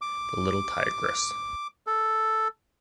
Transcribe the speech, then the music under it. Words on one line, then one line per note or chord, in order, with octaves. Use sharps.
The little tigress.
D6
A4